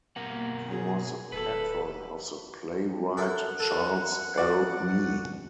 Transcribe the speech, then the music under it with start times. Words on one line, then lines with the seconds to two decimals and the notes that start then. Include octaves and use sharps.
He was the patron of the playwright Charles L. Mee.
0.16 B2 A#3 A#4 F#5
0.68 F#3 G#4
1.32 D1 A4 B4
3.17 E4 A4 A#4 F#5
3.59 A4 A#4
4.38 F#4 D5